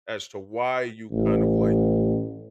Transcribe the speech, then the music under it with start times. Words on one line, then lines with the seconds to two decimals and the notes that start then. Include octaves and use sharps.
as to why you kind of like
1.11 A1